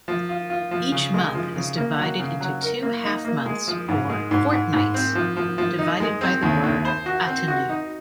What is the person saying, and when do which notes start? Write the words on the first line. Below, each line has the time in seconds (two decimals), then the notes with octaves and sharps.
Each month is divided into two half-months or "fortnights", divided by the word "atenoux".
0.08 F3
0.29 F4
0.50 F4
0.71 F3
0.92 C#3
1.14 G#3
1.35 F3
1.56 C#3
1.77 A#3
1.98 F#3
2.19 C#3
2.41 F#3
2.61 A#4
2.83 A#3
3.04 D#4
3.25 A#3
3.46 G#3
3.68 F3
3.88 G#2
4.10 G#3
4.31 G#2
4.52 G#2
4.73 G#2
4.94 C4
5.15 F3
5.37 F3
5.58 F3
5.78 D#4
6.00 G#3
6.21 C4
6.43 D#2
6.63 D#2
6.85 C5
7.06 F#4
7.27 C4
7.48 F#4
7.69 D#4